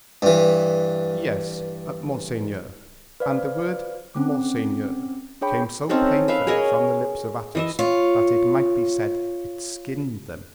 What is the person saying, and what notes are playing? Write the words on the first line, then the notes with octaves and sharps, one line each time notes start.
"Yes, monseigneur." And the word "monseigneur" came so painfully from the lips of Athos that it might be said it skinned them.
G2 E3
B4 C5 D5 F5
C4 C#4 D6
D4 G#4 C#5 G5 B5
C4 C#4 D#4 A4
B4 E5 F5
G#4 A#4 C#5 D#5
E3 D#5 E5
F4 C#5